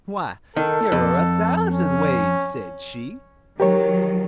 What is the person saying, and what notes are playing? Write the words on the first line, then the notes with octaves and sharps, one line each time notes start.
"Why, there are a thousand ways," said she.
D#3 A4
F2
C#4
D#3 F#3 G4 A#4 C#5